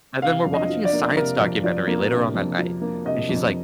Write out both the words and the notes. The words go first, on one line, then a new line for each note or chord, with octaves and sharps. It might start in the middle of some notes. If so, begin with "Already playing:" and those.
and then we're watching a science documentary later on that night, and she's like,
C3 F5
F2
D#5
F3
D5
A#3
C3 A#4
F2
F3 D5
A#3
C3
F2
F3
A#3
C3 D#5
F2